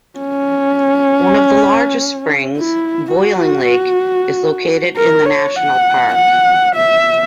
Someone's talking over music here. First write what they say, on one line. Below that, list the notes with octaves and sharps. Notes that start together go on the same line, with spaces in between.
One of the largest springs, Boiling Lake, is located in the national park.
C#4
E4
F#4
A#4
C#5
F#5
F#5
E5